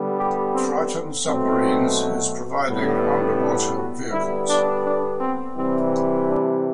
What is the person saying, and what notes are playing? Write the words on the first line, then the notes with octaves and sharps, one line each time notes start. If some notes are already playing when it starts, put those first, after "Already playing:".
Triton Submarines is providing underwater vehicles.
Already playing: D3 G3 B3
G4
C4
B2 F#3 A3 C4
A2 G3 B3
D4
F#4
D3 G3 B3 E4
D4
D4
C4
C3 E3 G3 C4
D4